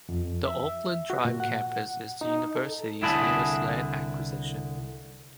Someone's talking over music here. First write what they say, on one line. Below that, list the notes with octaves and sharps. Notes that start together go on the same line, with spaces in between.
The Oakland Drive Campus is the university's newest land acquisition.
F2
E5
F#4
A#2
F#5
D#4
A4
C2 D3 E4 G#4 A5 B5